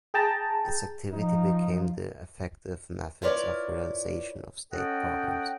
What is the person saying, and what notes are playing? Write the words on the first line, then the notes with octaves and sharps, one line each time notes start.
Its activity became the effective methods of realization of state programs.
G#4 G5 A5 A#5
F3 D#4
E4 F4 A#4 B4 C#5 D5
C#4 A4 D#5 F#5 G5